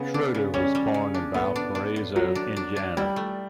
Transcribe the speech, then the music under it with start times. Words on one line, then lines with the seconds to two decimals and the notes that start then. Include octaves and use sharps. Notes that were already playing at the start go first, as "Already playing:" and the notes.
Schroeder was born in Valparaiso, Indiana.
Already playing: C#3 B3
0.14 D4
0.35 C#3
0.54 G3 C#4
0.75 G3
0.94 C#3
1.14 D4
1.34 A2 B3
1.56 D4
1.75 D4
1.96 A2
2.16 A2 F#3
2.35 D4
2.57 D4
2.76 D4
2.97 G3 E4
3.16 A3